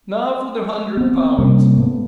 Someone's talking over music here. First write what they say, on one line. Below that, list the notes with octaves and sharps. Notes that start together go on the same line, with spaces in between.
Now for the hundred pounds.
B3 C4
C3 G3 A#3 C#4
G#2 A3 B3